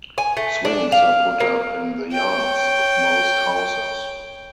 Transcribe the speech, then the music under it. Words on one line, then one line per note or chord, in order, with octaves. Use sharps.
Swings are put up in the yards of most houses.
G#5
A3
D4
F5
A#3
C#5 G5